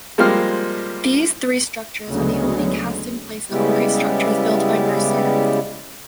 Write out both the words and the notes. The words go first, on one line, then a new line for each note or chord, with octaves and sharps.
These three structures are the only cast-in-place concrete structures built by Mercer.
F3 G3 G#3 A#3 C4 F6
D2 C#3 F#3 G#3 B3
C#3 G3 G#3 B3 E4 G4